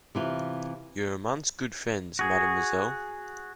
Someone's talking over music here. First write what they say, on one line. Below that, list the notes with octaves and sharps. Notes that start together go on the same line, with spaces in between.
You are amongst good friends, mademoiselle.
C3 E3 F4
F#4 G#4